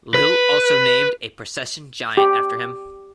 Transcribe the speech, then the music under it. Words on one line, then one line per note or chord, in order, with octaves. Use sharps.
Lille also named a procession giant after him.
B4
G4